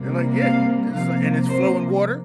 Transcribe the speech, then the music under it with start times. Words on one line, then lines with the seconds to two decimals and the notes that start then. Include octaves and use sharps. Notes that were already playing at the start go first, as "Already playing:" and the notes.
They're like, "Yeah," this is like "And it's flowing water?"
Already playing: C3 G3 A#3
0.38 F5
0.93 C3 F3 A#3 F5
1.48 C5